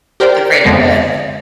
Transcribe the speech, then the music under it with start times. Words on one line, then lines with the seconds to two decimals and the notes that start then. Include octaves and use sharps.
the greater good.
0.20 G4 A#4 C5 D5 G5
0.65 F2 D3 G#3 B3